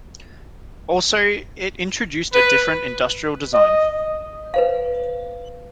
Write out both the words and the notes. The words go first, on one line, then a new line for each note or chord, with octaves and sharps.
Also it introduced a different industrial design.
B4
D#5
B4 C5 F5